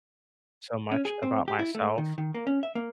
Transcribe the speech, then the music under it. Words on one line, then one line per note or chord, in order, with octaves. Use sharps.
so much about myself
C#4
G#4
C4
G4
E4
A3
D#3
D#3
A#3
C#4
E5
A#3